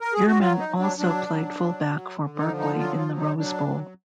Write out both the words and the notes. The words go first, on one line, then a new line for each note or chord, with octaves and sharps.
Yerman also played fullback for Berkeley in the Rose Bowl.
A#4
G#4
F#4
F#3 F4
D#4
F#3
D4
F#3 D4
F#3
F#3
F#3
D3
D#4
F3
D#4
F#3 F4
F4
F#3
D#4
F#3 D4
F#3